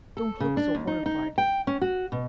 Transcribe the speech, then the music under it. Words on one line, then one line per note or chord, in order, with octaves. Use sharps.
Don't look so horrified.
A4
C#3
D4
D#2
D#4
D#4
G5
C#4
F#4
B2